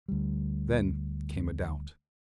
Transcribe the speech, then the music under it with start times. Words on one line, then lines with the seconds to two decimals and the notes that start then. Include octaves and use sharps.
Then came a doubt.
0.08 D2 G3